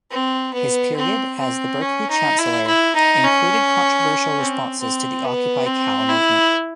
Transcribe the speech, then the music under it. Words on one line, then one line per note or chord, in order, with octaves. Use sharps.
His period as the Berkeley chancellor included controversial responses to the Occupy Cal movement.
C4
B3
C4
C4
C#4
D#4
E4
E4
D#4
C#4
C4
C4
B3
C4
E4